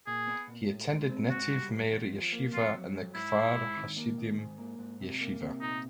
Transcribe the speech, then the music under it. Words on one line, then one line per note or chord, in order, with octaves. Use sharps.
He attended Netiv Meir Yeshiva and the Kfar Hasidim Yeshiva.
A#2 G#4
B3
A#2
A2
G#3
C4
G#2 F#4
G3
G#2
E2
F3
A#3
F2 F4
F#3
F2
G#2 E4
G#3
G#2
D#3
A#3
D#3
G#2
A#3
G#2
C3
A#3
C3
A#2 D#4